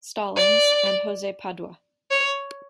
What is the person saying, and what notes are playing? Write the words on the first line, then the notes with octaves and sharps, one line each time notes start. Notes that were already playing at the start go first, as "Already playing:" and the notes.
Stallings, and Jose Padua.
D5
C#5